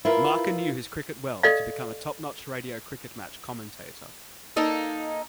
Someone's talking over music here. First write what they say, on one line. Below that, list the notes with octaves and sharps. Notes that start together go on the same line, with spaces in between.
Marker knew his cricket well to become a top-notch radio cricket match commentator.
E4 F4 A#4 B4
A4 D5 D#5 F5
A#3 D#4 A4